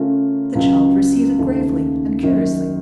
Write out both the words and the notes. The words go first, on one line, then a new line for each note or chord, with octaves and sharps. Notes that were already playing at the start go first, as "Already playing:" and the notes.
The child received it gravely and curiously.
Already playing: C#3 A3 C#4 F4 A#4
C#2 C#3 F#3
D#2 C#3 A3
F#1 F#2 D#3